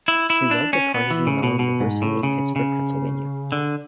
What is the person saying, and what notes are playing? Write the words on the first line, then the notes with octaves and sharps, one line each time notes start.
She went to Carnegie Mellon University in Pittsburgh, Pennsylvania.
E4
E4
D4
C#4
B3
E3
C#3
B2
B2
G#2
A2
C#3
C#3
D3